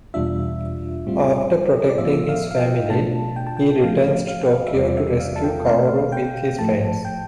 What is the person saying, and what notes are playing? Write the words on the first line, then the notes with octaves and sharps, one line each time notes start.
After protecting his family, he returns to Tokyo to rescue Kaoru with his friends.
E2 B2 G3 D4 F4 E5
A2 G3 C4 F4
D5
A2 F3 B3 F4 E5
F5
F5
G5
B2 A3 D4 F4 A5
G5
A5
G5
A2 F3 A3 F5
F5
E5
E2 C3 G3 C4 F4 D5
E5
F5
A5
G5
B2 A3 C4 F5
G5
A2 F3 A3 A5
G5